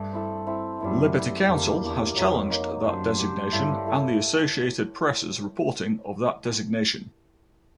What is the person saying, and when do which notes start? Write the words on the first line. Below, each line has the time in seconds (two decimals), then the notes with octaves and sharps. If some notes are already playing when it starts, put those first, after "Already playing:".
Liberty Counsel has challenged that designation and the Associated Press' reporting of that designation.
Already playing: G2 A3 G4
0.12 C4 E4 A4
0.47 C4 E4 A4
0.81 F#2 G3 B3 E4
1.14 G3 B3 E4
1.48 F2 A#3 D4 G4
1.82 E2 A#3 D4 G4
2.16 F2 F#3 A#3 D#4
2.50 F#3 A#3 D#4
2.84 F#2 D4 G4 C5
3.18 D4 G4 C5
3.52 G2 E4 A4 C#5 F5
3.86 E4 A4 C#5 F5